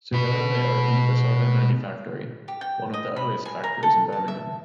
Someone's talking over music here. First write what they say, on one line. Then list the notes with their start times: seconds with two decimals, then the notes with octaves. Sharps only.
Together they opened the Soho Manufactory, one of the earliest factories in Birmingham.
0.12 B2 B4
2.48 G4
2.61 G5
2.94 D#5
3.16 B5
3.45 G#5
3.64 A#4
3.83 A4
4.12 A5
4.28 E5